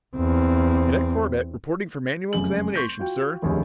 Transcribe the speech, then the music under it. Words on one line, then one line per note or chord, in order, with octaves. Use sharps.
"Cadet Corbett reporting for manual examination, sir!"
E2 C4
F1 F#2 C#3 F#7
C6 C#6 G6
F4 F#4 G5
F1 A#1 D#2 D3 G#4 C#5